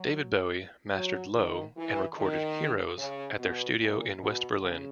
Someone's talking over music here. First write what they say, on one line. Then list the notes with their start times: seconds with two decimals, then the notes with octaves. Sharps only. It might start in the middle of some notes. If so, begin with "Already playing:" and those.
David Bowie mastered "Low" and recorded "Heroes" at their studio in West Berlin.
Already playing: F#3
0.95 F#3
1.36 D#3
1.76 E3
2.17 D#3
2.98 C#3
3.38 B2
3.79 A#2
4.19 B2
4.59 C#3